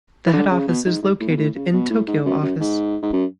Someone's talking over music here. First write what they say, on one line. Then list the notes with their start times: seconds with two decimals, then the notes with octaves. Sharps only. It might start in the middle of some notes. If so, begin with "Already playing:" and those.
The head office is located in Tokyo Office.
0.26 E3
0.33 D3
0.51 C#3
0.68 B2
0.86 G#2
1.03 G#2
1.20 A2
1.29 B2
1.38 A2
1.55 C#3
1.73 B2
1.90 A2
2.08 G#2
2.25 F#2
2.43 F#2
2.60 G#2
3.03 G#2
3.13 F#2